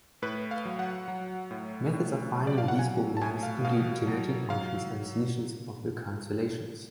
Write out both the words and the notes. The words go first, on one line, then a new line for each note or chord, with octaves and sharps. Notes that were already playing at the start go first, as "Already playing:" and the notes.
Methods of finding these formulas include generating functions and the solution of recurrence relations.
A2 B4
F5
F#3
F#5
F#3
A2
A2
F#3
D5
F5
F#5
F#3 G#5
A5
A2 G#5
F5
B2 F5
F#3
F#3 F5